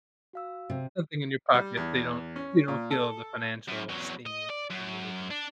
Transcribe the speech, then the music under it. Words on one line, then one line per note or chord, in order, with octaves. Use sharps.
something in your pocket so you don't you don't feel the financial sting when you need to relax.
F#4 F5 E6
C3
G3
E2
C#4
A#2
A4
F#2
E2 F#3
D#5
D5
F#2
D4